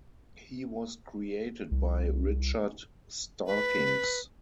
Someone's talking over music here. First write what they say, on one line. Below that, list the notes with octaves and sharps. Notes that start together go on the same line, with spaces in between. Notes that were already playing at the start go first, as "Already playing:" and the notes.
He was created by Richard Starkings.
C2
B4